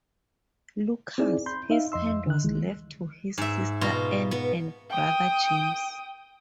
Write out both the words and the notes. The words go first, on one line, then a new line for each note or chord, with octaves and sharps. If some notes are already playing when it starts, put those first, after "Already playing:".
Lucas, his land was left to his sister Anne and brother James.
C4 D#4 E4 G#4 D5
B5 C6 G6
D#4 E5 F5
F2 D#5 C6 E6
D3 F#6
C2 D#3 E3 G#3
G#2 E5
B2 F4 A#5
B3
G5 D#6